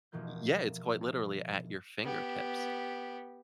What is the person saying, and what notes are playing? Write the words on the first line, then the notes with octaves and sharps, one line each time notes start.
y yeah, it's quite literally at your fingertips.
F1 B2 E3 F3 A#3 G6
B3 G4